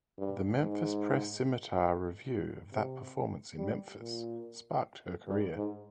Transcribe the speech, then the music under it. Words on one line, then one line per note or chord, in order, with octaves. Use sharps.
The "Memphis Press-Scimitar" review of that performance in Memphis sparked her career.
G2
G#2
C3
G3
A#2
G2
G#2